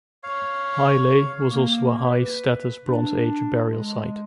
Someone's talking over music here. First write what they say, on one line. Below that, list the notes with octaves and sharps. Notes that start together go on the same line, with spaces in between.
High Legh was also a high-status Bronze Age burial site.
C#5 F5
A#3
B4
D4
G#3